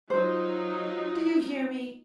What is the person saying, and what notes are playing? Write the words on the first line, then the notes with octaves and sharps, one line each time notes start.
Do you hear me?
F#3 D#4 F4 C5